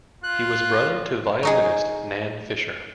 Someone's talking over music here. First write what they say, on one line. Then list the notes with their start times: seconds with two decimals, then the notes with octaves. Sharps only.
He was brother to vilionist, Nan Fisher.
0.24 F4 F#6
1.43 F#3 D#4 G#4